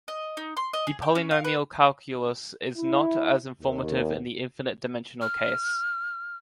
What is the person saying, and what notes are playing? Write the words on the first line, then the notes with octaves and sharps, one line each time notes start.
The polynomial calculus is not as informative in the infinite-dimensional case.
D#5
D#4
C6
D#5
G#4
G5
C#4
F5
B4
E4
D#2
F6